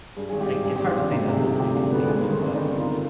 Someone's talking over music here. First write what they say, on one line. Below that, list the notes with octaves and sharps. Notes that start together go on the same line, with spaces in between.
I, it's hard to say that as a blanket statement, but
G2 G#4
G#1 G#4
G4
G#1
G2 G#4
G#1 G4
C4
G#1 D4
D2 D#4
C3 G#4
G4
F3
D2 G4
F3 D4
D2 B3
B3
G1 G#3
D#3 B3
C4
G1 D4
D#3 D#4
D#3
F4